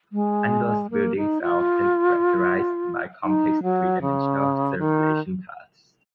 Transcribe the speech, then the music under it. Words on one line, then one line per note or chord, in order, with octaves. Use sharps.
Ando's buildings are often characterized by complex three-dimensional circulation paths.
G#3
A#3
D#4
F4
D#4
F#3
C#3
D#3